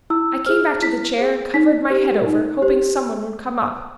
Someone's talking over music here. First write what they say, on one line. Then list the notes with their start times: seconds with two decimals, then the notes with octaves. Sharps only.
"I came back to the chair and covered my head over, hoping some one would come up."
0.10 E4 E6
0.46 G#4 C5 F6
0.82 E4 B6
1.18 G#4 C5
1.54 D#4 B6
1.90 G4 C5
2.26 D#4
2.62 G4 C5